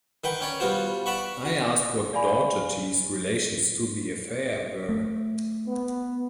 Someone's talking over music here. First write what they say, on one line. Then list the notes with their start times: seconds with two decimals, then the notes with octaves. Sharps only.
I asked what Daugherty's relations to the affair were.
0.24 D#3 B4 F#5 G5
0.41 C#4 C#5 D5
0.60 G3 B3 F4 F#4 C5
1.06 D5 F#5 A5 B5 C#6
1.46 F#4
2.13 D5 F5 G#5 B5
4.89 A3
5.68 B3